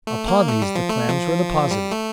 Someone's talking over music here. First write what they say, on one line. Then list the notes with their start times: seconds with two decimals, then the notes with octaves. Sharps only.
Upon these the clams were deposited.
0.07 A3
0.28 A#3
0.48 A3
0.62 G3
0.76 F3
0.89 A3
1.09 F3
1.71 G3
1.91 A3